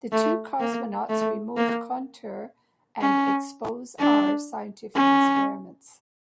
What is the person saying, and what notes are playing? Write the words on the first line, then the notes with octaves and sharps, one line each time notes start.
The two cosmonauts removed Kontur and Expose-R scientific experiments.
A3
A#3
A3
A#3
C#4
D4
C#4